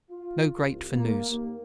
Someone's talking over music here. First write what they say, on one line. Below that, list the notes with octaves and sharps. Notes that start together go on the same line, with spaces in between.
No great for news.
F4
C2
A#3
D#2